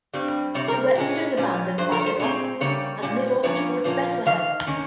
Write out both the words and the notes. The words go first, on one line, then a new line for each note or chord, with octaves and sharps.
De Wet soon abandoned Bakenkop and made off towards Bethlehem.
G2 G3 C4
C3 G3 C4 C#5
A#4
A#2 G#3 C#4
A#2 G3 C#4
G2 F3 C5
A#4
C#5
C5
A#2 G#3 C4 C#5
C#3 G3 A#3 C#4 C#5
A#2 G3 C#4
G2 F3 A#3 C#4 C#5
A#2 F3 A#3 C#4
G#2 D#3 F5
D#3 A#3 C#4